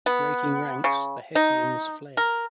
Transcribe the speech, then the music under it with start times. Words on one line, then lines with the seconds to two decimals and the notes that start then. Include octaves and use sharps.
Breaking ranks, the Hessians fled.
0.06 B3
0.84 C#3
1.35 D#4
2.17 A#4